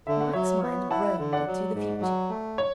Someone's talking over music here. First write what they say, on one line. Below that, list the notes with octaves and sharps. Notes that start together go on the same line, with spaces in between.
Mike's mind roamed into the future.
D3 E5
F#5
F#3 C#5 E5
B3
E4 F#5 A5
D3
D5 F#5
F#3
G#2
F#3
A3
C#5